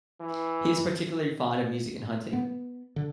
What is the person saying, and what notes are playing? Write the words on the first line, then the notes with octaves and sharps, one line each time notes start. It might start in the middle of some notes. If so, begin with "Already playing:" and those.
He was particularly fond of music and hunting.
E3
B3
D3